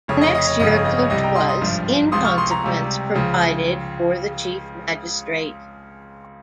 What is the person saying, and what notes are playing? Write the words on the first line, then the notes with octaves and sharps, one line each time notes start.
The next year a coach was, in consequence, provided for the chief magistrate.
F1 F2 C#3 C#5
D#5
D#5
C#5
G1 F2 C#3 D#5
C#5
D#5
C#5
C2 C3 G3 D#5
G5 A#5
C6 D#6
C6 D#6
G#1 G2 F3
C#2 C3 F3 C6 D#6
C#6 F6
C6 D#6
A#5 C#6
C#2 C3 G3
C#2 C#3 F3